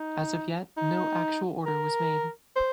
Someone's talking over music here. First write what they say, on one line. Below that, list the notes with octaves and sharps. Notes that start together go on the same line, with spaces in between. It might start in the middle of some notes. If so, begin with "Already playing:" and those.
As of yet no actual order was made.
Already playing: D#4
D#4
A#4
C5